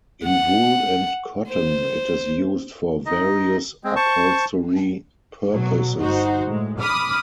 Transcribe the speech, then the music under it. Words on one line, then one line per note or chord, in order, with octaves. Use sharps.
In wool and cotton it is used for various upholstery purposes.
F#5
C5
D#4 D#5
G#3 C4
C5 A5 C#6
B2 F#3
G1 D#4 F#4 C5
A2 G#3
B5 D6 D#6 F6